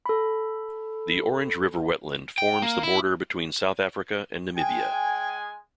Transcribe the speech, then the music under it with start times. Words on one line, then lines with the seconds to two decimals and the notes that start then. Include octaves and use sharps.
The Orange River wetland forms the border between South Africa and Namibia.
0.06 A4 B5
2.38 G5
2.62 A#3
2.83 E4
4.56 G#3 G5 G#5